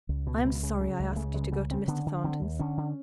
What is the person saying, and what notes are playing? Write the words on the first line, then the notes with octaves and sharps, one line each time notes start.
'I am sorry I asked you to go to Mr. Thornton's.
C#2
B2
C#2
C#3
C#3
C#2
G#3
C#3 A3
C#2 G#3
C#3 F#3
C#3 C4
D3 B3
D3
D3 C4
D#2
D3 C#4
D3